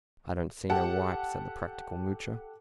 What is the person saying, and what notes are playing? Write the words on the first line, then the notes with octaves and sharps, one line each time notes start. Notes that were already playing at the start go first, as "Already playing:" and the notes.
"I don't see no wipe," said the practical Moocher.
G4 A4 F#5 A5